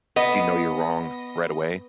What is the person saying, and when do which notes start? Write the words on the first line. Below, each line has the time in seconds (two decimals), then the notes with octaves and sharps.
do you know you're wrong right away?
0.16 B3 D#5